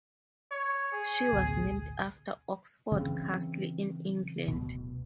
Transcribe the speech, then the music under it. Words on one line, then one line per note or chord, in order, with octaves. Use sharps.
She was named after Oxford Castle in England.
C#5
G#4
A1 D2 B2
C#3 E3 C4
D1 B2